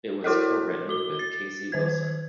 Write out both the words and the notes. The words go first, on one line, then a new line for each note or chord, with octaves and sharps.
It was co-written with Kasey Wilson.
E4 F#4 A4 A#4 D#5
F#4 G7
A6
D#3 C5 G#6